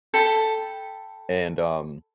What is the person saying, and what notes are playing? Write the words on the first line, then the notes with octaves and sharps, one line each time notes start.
And, um,
A4 G5 B5